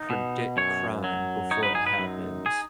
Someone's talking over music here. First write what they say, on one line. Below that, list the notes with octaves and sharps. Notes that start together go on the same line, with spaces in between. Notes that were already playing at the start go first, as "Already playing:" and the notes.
predict crime, before it happens.
Already playing: D#4
B2
F#2 C#5
F#3
D#4 C#5
B4
G#4
B4
F#2
G#4